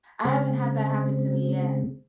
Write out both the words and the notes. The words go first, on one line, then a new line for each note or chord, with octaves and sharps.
I haven't had that happen to me yet.
C#3 G#3 C4